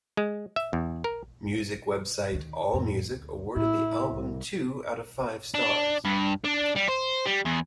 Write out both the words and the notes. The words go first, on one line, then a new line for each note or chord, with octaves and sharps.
Music website AllMusic awarded the album two out of five stars.
G#3
E5
E2
A#4
D2 D#3
F2 A2
D2
A2 E4
C2
D4
G2
D4
G3
C5
G3
E2